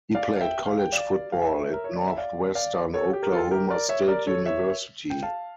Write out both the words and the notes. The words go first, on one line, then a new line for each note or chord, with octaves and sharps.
He played college football at Northwestern Oklahoma State University.
D5 F5
F5
E5 G5
F5
G5
D5 F5
F5
C#5 E5
A#4
C#5
D5
E5
D5 F5
D5 F5
A4 C#5
G4
A#4
F4 A4
G4 A#4
A#4 D5
C#5 E5
A#4 D5
A4 C#5
C#5 E5
G5
F5 A5